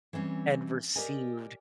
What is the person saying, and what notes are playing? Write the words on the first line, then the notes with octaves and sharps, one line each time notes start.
and received
E3 G3 C4 C#4
G4 A#4 D5 D#5 G#5